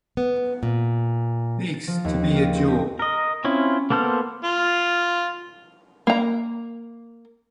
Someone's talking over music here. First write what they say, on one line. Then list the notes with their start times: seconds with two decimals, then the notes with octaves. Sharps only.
Meeks to be a "jewel".
0.17 B3
0.63 A#2
1.73 A6
1.87 F3
2.05 D#2
2.22 C4
2.35 A#3
2.56 C4
2.68 G4
2.99 A#4 D#5
3.45 C4 C#4 E4 F4
3.90 A#3 B3 A4 C5 F6
4.44 F4
6.07 A#3 A#5